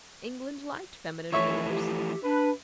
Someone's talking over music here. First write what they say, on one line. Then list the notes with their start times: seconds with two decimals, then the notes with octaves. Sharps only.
England liked feminine rulers.
1.32 E3 F3 A3 C#5 E5 C#6
1.69 G4
2.23 D4 B4